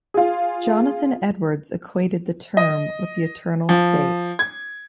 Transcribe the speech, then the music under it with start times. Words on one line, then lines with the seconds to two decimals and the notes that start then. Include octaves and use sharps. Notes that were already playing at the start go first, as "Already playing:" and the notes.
Jonathan Edwards equated the term with the eternal state.
0.14 F4 G#4
2.57 D#5
3.69 F3
4.39 G#6